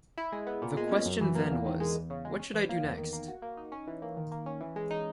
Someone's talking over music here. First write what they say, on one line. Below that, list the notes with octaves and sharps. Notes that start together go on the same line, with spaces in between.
The question then was: what should I do next?
E4
G#3
B3
A#2
G#3
C#4
F#2
E3
A#3
E2
D#3
G#3
E2
C#3
G#3
C#4
E3
A#3
E2
D#3
A#3
F#4
A#3
D#4
C#4
E3
A#3
D#3
A#3
C#4
E3
G#3
D#4